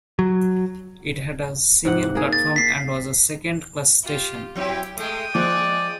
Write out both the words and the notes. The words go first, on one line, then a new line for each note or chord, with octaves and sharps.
It had a single platform and was a second-class station.
F#3
G#2 C3 F#5
A#3 G#4
A6
B6 C7
F4 G4
F#3 C4 E4 G4 G5
G#3 A3 G5 D#6
F3 G#3 D5